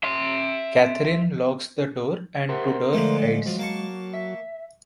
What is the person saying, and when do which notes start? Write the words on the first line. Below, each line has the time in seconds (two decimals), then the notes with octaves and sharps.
Catherine locks the door and Tudor hides.
0.03 E5 C6
2.49 G4 A#4 C5 E5 F#5
2.93 D3 F3 G#3 A3
3.46 F3 F#3
3.59 A#3 A5 C#6
4.14 E5